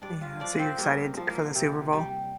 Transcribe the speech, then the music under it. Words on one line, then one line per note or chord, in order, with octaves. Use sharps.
Yeah. So you're excited for the Super Bowl?
G2 D4 D5
F4 F5
F3 D4 D5
C4 C5
G2 A#3 A#4
F3
A#3 A#4
C3
G3